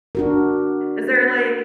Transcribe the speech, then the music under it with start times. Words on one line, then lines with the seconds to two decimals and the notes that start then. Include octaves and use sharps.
is there, like,
0.15 D4 F#4 A#4